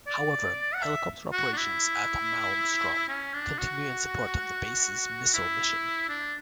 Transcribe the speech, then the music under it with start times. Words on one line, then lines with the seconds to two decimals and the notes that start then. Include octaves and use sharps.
However, helicopter operations at Malmstrom continue in support of the base's missile mission.
0.07 D5
0.74 F#5
0.82 E5
1.32 F#4
1.53 D4
1.57 E4
3.09 C#4
3.34 D4
3.59 F#4
5.34 E4
6.09 D4